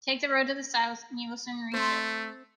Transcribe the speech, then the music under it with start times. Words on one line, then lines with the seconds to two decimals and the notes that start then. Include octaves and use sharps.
Take the road to the South and you will soon reach it.
1.74 A3 C4 C5